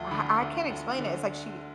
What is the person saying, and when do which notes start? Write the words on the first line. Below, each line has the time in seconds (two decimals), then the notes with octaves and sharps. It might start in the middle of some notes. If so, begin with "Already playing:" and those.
I I can't explain it. It's like she
Already playing: D2 F3
0.11 D3 B5
0.41 D2
0.70 D2
0.99 D3